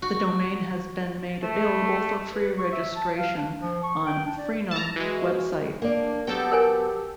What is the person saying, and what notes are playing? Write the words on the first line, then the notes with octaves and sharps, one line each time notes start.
The domain has been made available for free registration on Freenom website.
F#4
A3
B4
C#6
E5
A5
F5
D4
F3
C#6
G5
D4
D5
A5 A#5
E3 G#3 F#4
A#3 D4 D5
F#3 B3 G4 A4 G5
A#4 C#5 G#5